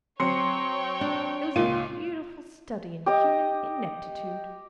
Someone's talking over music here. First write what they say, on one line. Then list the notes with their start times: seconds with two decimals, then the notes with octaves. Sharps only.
It was a beautiful study in human ineptitude.
0.20 F#3 C4 C#5 G5 C6 C#7
1.01 D4
1.56 C#2 A#2 F4 D#7
3.06 G4 D#5